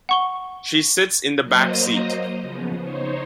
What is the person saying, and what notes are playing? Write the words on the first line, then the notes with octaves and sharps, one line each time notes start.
She sits in the backseat.
F#5 C#6 G7
F#3 A#3 C5 D#5 A#5 D#6
C#3 F3 B3
D#4 C5 C#5